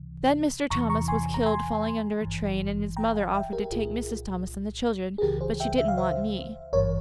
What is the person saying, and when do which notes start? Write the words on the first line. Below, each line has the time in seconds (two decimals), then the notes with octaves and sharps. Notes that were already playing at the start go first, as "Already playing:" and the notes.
Then Mr. Thomas was killed falling under a train and his mother offered to take Mrs. Thomas and the children, but she didn't want me.
Already playing: C#2 C3 E3
0.70 E2 C3 E3 A#5 C#6
0.90 A#5 C#6
1.08 G#5 C6
1.34 A#5
1.46 G#5 C6
2.22 G#1 G2 E3
2.97 G5 A#5
3.15 F5 G#5
3.34 E5 G5
3.52 G4 A#4
3.72 C2 A#2 F4 G#4
5.18 G#4
5.22 C#2 C#3 E3 G4 A#4
5.41 G#4 C5
5.60 E5 G5
5.78 E5
5.88 F5
5.98 C5 E5
6.73 G#1 G2 E3 A#4 C#5